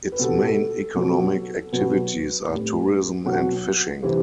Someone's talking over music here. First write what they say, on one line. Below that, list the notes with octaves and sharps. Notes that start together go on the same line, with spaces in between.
Its main economic activities are tourism and fishing.
B4
B2 G3 A4
B2 F#3
B2 F#3 B4
A2 G3
B2 F#3 F#5
C3 E3 G3